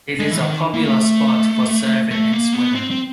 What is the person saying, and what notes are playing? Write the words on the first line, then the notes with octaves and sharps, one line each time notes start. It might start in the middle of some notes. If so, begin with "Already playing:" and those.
It is a popular spot for surfing and swimming.
G#3
E3
D#3
A#3
A3
A3
A#3
B3
C4
C4